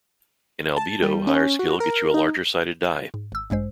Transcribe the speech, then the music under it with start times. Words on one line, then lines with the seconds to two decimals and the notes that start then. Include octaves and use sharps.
In Albedo, higher skill gets you a larger sided die.
0.77 A5
1.03 G3
1.27 C#4
1.59 F#4
1.80 A#4
2.14 D#4
3.14 G#2
3.32 G#1 E6
3.50 A1 G2 G#3 C5